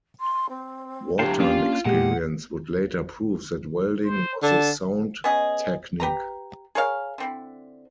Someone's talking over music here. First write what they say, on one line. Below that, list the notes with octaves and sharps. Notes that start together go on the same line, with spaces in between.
Wartime experience would later prove that welding was a sound technique.
C6
C4
D3 F#3 G4 F5 G5 A5
A#3 C#4 D4 F4
A#2 G#3 G4 F#5
C5
D3 A5
B3 C#4 G#4 D#5
G4 B4 A#5
G#4 A#4 C#5 F5
D3 C4 E4